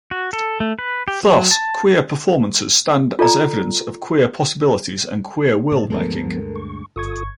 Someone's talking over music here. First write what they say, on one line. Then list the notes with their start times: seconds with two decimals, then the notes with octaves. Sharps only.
Thus, queer performances stand as evidence of queer possibilities and queer worldmaking.
0.11 F#4
0.33 A4
0.60 A3
0.79 B4
1.08 G4
1.23 F#3
1.51 A5
3.19 F4 A4 D5 A#5
5.72 A2 A5
5.90 D2 G2 F3 G#3 A3 B3 A4 A#4
6.56 C#6
6.96 G1 F4 A4 C#6 D#6 G#6